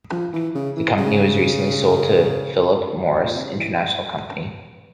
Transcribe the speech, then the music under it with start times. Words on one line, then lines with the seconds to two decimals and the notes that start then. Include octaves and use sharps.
The company was recently sold to Phillip Morris International company.
0.11 F3
0.33 E3
0.55 C#3
0.76 E3
0.97 C#3
3.15 G#2
3.25 A#2
3.35 C3
3.46 C#3
3.55 E3